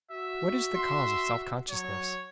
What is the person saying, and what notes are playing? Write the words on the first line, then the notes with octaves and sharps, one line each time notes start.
What is the cause of self-consciousness?
F#4 E5
C6
F#3 C#5